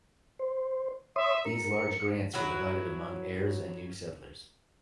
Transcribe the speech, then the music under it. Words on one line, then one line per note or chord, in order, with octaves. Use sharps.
These large grants were divided among heirs and new settlers.
C5
C#5 E5 C6 D#6
A#4 C#7
F#3 E4 F#4